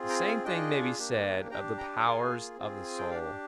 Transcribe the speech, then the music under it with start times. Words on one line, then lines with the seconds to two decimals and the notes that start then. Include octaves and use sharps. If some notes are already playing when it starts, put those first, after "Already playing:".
The same thing may be said of the powers of the soul.
Already playing: C4 F4 G#4
0.09 G5 A#5
0.27 F5 G#5
0.45 D4 F4 G#4 D#5 G5
0.98 A#3 D4 G4
1.51 D4 G4 G5 A#5
1.78 G5 A#5
1.99 A#5
2.04 A#3 F4 G#4 F5 G#5
2.57 C4 F4 G#4
2.86 G#5
2.98 G5
3.10 D4 G4 D5 F5